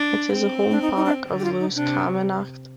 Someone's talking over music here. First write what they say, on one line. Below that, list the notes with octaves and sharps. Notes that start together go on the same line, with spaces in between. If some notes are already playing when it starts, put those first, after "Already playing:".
It is the home park of Lewis Camanachd.
Already playing: D4
C4
D4
D#4
D#4
D4
D3
G4
F4
D#4
C3 D4